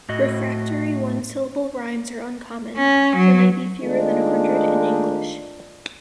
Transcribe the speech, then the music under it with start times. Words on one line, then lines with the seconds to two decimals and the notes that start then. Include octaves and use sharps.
Refractory one-syllable rhymes are uncommon; there may be fewer than a hundred in English.
0.09 A2 F#4 D#5
2.77 C#4
3.16 F#3
3.82 D#3 G#3 A3 D4 D#4 F4